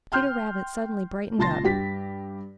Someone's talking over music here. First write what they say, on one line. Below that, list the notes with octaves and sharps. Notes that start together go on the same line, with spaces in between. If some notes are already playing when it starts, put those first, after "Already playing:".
Peter Rabbit suddenly brightened up.
G5 C6 F6 G6
C#2 A#2 A5 C6 A6 A#6
G2 G4 B6